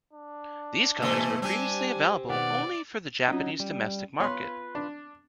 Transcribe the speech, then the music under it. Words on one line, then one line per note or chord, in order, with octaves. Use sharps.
These colours were previously available only for the Japanese domestic market.
D4
B2 E3 A3 A#3 C5 D#5
G3 C4 D4 G4 G#5
B2 D#3 B3 D5 F#5
F#3 C4 C#4 D#4 F4
G3
B3 F4 B4 C#5 C6
D4